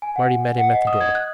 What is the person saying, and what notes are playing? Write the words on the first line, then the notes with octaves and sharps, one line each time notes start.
Marty met him at the door.
G#5
F#5
F#5
D#5
D#6
G#6
F#6